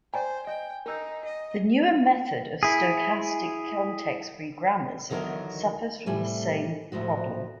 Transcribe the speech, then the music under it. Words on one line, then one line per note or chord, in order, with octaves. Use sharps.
The newer method of stochastic context-free grammars suffers from the same problem.
C5 D5 G5 G#5 A#5
D#5 G5
D#4 A#4 E6 G6
D#5
E4 G#4
E2 D3 D#3 F#3 A#4 D#5
A2 C3 G3 A3 G#5
D2 A2 F3 F#4